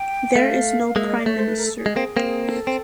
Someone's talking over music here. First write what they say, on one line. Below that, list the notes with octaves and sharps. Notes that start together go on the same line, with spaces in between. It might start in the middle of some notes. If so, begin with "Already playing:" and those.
There is no prime minister.
Already playing: G5
A3 F5
G#3 A#3 E5
D#5
D5
A3 C#5
C5
B4
A#4
A4
G#4
G#3
A#3 C4
A#3 C4
A4
C4